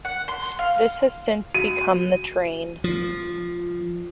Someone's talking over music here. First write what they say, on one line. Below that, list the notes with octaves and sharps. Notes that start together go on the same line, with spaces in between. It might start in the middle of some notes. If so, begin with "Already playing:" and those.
This has since become the train.
F#5
C6
F5
F#4 D#7
F3